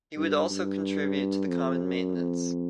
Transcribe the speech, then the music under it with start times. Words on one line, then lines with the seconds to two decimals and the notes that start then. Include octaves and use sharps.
He would also contribute to the common maintenance.
0.17 G2
0.50 G2
1.49 F2
1.83 F#2
2.15 F2